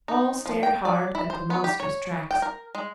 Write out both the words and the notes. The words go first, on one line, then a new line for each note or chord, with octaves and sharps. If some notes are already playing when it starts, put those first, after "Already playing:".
All stared hard at the monstrous tracks.
D#4
F3
G5
D5
E4
C5
B3
G4
C#5
G5
A#4
G#3